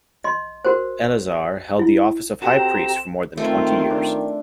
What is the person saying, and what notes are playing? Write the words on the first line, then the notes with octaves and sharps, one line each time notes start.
Eleazar held the office of high priest for more than twenty years.
D#5 C6
F#4 A#4 C5
E4
C4 F#4 G4 A4 A#5 E7
D#3 A3 C4 F4 E5 C6
D4